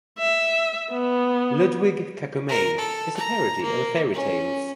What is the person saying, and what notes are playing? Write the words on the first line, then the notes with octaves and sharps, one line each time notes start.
"Ludwig Kakumei" is a parody of fairy tales.
E5
B3
A#4
A4
A#5
A#3
C#4